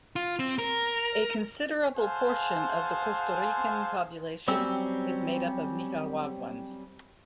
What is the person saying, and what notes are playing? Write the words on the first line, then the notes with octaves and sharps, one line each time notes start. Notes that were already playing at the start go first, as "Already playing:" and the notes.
A considerable portion of the Costa Rican population is made up of Nicaraguans.
F4
C4
A#4
G#4 C5 F5 F#5 G#5 A5
F#3 G3 C4 C#4 E6